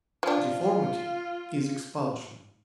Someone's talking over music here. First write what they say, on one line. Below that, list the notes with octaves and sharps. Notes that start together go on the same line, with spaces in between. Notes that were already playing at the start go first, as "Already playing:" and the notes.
Deformity is expulsion.
F3 D4 F4